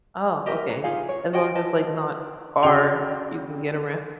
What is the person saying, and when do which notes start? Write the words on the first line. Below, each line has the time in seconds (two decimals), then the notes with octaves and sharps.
Oh, okay. As long as it's like not car, you can get around.
0.46 G4 A#4 D#5 E5
0.69 C#4 B4 A#5
0.84 D#4 F4 G#4 F5
1.09 C#5
1.33 F#4 D#5 G5 G#5
1.55 B4 D#5 A5
2.63 C#3 F#4 G5 F7